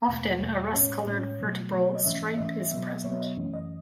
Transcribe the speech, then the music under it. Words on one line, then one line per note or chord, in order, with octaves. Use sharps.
Often a rust-colored vertebral stripe is present.
E2 B2 A3
E2 B2 A3
A2 G#3 C#4 C#5
A2 G#3 C#4
B2 F#3 A3
B2 F#3 A3
C#5
D#5
G#2 E3 A3 C#4 E5
E5
G#2 E3 A3 C#4 D#5
B2 F#3 B3 E5
D#5
B2 F#3 B3 C#5
D#5
F#2 E3 A3 C#4
D#5